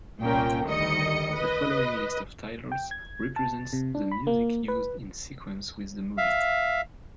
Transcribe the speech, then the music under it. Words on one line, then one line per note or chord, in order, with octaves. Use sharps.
The following list of titles represents the music used in sequence with the movie.
C2 A#2 C#4 A#4 G5
D2 D#3 G3 D#5 C#7
B4 D#5
G5
G#6
A5
C3
D4
B5
A#3
B4
E5 F5